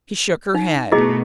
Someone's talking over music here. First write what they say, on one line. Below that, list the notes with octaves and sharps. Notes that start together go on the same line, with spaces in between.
She shook her head.
D#4
B2 A3 E4 G#4 D#5